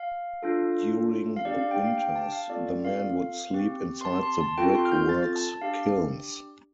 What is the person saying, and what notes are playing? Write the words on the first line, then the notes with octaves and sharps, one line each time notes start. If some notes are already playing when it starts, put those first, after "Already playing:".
During the winters, the men would sleep inside the Brick Works kilns.
Already playing: F5
D4 F4 A4
F5
D4 G4 D5
F5
G5
F5
G5
A5
F5
C4 F4 A4 D5
D5
F5
C4 G4
C6
A5
C6
A5
C4 F4 A4 G5
C6
F6
G6
A6
A6
A5
A5
D4 G4 F5